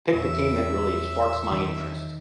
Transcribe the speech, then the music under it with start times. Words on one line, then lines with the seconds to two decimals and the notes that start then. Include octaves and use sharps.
pick the team that really sparks my interest."
0.14 E2 A#2 C#5 E5 E6
1.52 D#3